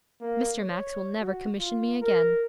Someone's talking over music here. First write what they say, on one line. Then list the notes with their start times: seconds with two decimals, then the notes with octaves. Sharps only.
'Mr. Max will never commission me again.'
0.21 A#3
0.62 C#5
1.21 F#4
1.59 F4
2.02 A#4